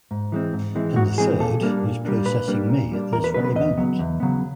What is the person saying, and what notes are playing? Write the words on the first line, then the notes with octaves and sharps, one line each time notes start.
And the third - is processing me at this very moment.
G#2
E3 G#3 C4
G#2
E3 G#3 C4
G#2 F#4
E3 G#3 C4 G#4
A#2 A4
G3 A#3 D4
A#2
G3 A#3 D4
A#2 B4
G3 A#3 D4
A#2
G3 A#3 D4
E2 A#4
B4
C#3 F#3 B3 B4
B4
E2 D#5
C#3 F#3 B3
E2
C#3 F#3 B3